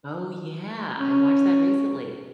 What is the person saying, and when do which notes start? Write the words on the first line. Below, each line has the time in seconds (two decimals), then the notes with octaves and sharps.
Oh yeah, I watched that recently.
0.98 C#4